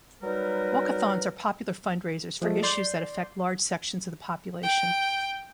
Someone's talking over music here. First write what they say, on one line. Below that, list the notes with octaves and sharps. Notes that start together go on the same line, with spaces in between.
Walkathons are popular fundraisers for issues that affect large sections of the population.
F#3 G3 D#4 A#4 B4
F3 G#3 A3
D5 C6 G6
G5